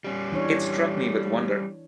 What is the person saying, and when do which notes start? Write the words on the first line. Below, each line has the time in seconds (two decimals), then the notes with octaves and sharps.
It struck me with wonder.
0.04 G3 C#4
0.32 E3 D4 C#5